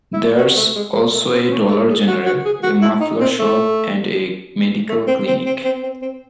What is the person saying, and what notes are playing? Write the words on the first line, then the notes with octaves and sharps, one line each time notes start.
There's also a Dollar General, a muffler shop and a medical clinic.
E4
F#4
A3
G#3
G#3
A3
C4
C4
C#4
A3
G#4
F#4
F#4
G#4
F#4
E4
D#4
C4
A3
A3
C4
C4
C4
C4
C4
C4